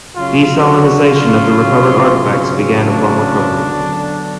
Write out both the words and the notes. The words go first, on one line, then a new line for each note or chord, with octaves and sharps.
Desalinization of the recovered artifacts began upon recovery.
C#3 F#3 C#4 F4
F#4
F4
D4
D3 F#3 B3